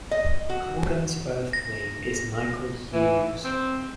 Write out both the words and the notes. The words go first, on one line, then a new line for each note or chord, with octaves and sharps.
Colgan's birthname is Michael Hughes.
D#5
F#4
A#6
E3
C4